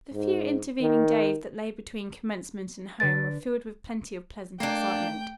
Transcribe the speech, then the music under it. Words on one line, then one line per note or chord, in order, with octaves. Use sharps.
The few intervening days that lay between commencement and home were filled with plenty of pleasant excitement.
G#2
D#3
D3 B4 A6 D7
A3 A#3 D4 G5